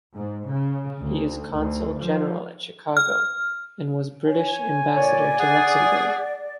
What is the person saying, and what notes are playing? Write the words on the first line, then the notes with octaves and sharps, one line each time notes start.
He is Consul General at Chicago, and was British Ambassador to Luxembourg.
G#2
C#3
D2
D2
F3
F6
C#5 G#5
A#2 C#5 D5
G#4 F#5